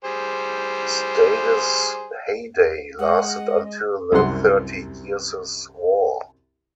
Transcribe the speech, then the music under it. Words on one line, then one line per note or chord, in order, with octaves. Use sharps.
Stade's heyday lasted until the Thirty Years' War.
G3 G#4 C5
G#3 D#5 F#5
C2 F#2 C3 F#5 C6